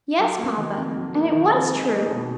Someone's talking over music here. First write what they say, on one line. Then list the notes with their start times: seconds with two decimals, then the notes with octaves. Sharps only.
"Yes, papa, and it was true."
0.19 F#3
0.38 A#3
0.57 D#3
0.77 F2
0.96 F#3
1.15 A#3
1.34 D#3
1.53 F2
1.72 G#3
1.92 D#4
2.10 B2